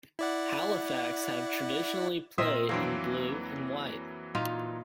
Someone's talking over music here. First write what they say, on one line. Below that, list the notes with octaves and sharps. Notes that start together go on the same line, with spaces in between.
Halifax have traditionally play in blue and white.
E4 D5 F#5
A#2 C4 A#4 D#5 E5 D#6
F2 E3 F#3 A#3 C4 D4
A#2 D#4 F4